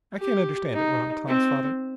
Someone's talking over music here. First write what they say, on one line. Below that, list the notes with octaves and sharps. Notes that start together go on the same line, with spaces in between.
"I can't understand it," went on Tom's father.
G4
D#4
C4